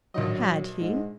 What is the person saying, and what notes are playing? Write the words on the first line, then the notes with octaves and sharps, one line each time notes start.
Had he?
A#1 F#3 D#4 D#5
G#2